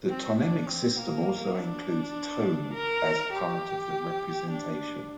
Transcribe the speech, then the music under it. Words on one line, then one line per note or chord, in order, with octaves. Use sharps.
The tonemic system also includes tone as part of the representation.
C4
D4
C4
A#3
D4
A#4
G4
D4